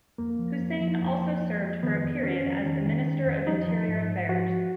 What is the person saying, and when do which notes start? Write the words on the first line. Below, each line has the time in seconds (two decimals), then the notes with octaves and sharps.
Hussein also served for a period as the Minister of Interior Affairs.
0.18 F2 A#3
0.39 F3
0.60 F2
0.80 F3
1.01 F2
1.21 F3
1.41 F2
1.62 F3
1.83 D#3 B3
2.04 F2
2.23 D#3 C#4
2.45 F2
2.65 D#3
2.86 D#3
3.05 D#3
3.26 F2
3.47 F3 D#4
3.67 F3
3.88 G#2
4.09 G#2
4.29 F3 F#4
4.49 F3